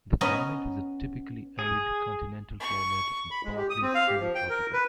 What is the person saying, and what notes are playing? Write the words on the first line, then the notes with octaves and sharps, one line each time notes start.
The climate is a typically arid continental climate and partly semi-tropical.
B3 C#4 D#5 A#5
G#4
C#6
B5
G#3
G4
D#6
C4
F5
G4
F3
G5
A#4
B4